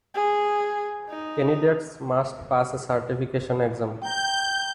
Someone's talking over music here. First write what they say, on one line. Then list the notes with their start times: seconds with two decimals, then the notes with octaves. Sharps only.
Candidates must pass a certification exam.
0.14 G#4
1.09 D#4
4.02 G5 A#5 G6